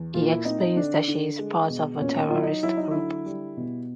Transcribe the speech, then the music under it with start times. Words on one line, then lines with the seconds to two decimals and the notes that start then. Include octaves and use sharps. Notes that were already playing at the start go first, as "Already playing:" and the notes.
He explains that she is part of a terrorist group.
Already playing: E2
0.14 A#2 F4
0.29 E4
0.45 C4 D#4
0.61 D#4
0.76 D3 D4
1.08 D3
1.39 G#3
1.70 B2
2.01 A#2 C#4
2.28 F4
2.32 F#3 E4
2.43 D#4
2.63 F#3 E4
2.77 D#4
2.91 D3 E4
3.26 G3
3.57 B2